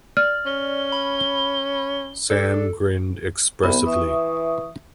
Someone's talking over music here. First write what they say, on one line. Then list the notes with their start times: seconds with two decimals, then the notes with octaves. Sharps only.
Sam grinned expressively.
0.17 D5 F6
0.46 C#4 G7
0.92 B5
2.30 D4 A4
3.63 C2 B3
3.86 E3 E5 C#6 D#6